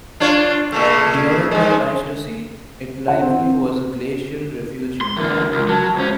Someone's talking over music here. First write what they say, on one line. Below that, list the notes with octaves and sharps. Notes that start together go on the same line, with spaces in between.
During the Pleistocene it likely was a glacial refugium.
D4 F4 C#5
A#2 C#3 A3
G#2 G#3
F#5
C4
C6
E2 D3 A#4
C#2
F#3 A5
C#2 C#4 C5